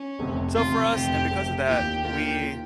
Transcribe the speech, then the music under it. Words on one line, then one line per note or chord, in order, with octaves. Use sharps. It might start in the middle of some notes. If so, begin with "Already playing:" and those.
So for us, and because of that, we
Already playing: C#4
F1 F2 C3
F1 F2 C3 F4
F1 F2 C3 G4
F1 F2 C3
D#2 D#3 A#3 F4 G4
D#2 D#3 A#3 F4 G4
D#3 A#3 F4